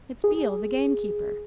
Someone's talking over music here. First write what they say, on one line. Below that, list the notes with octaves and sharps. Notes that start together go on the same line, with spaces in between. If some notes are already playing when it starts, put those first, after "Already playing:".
It's Beale the gamekeeper.
G#4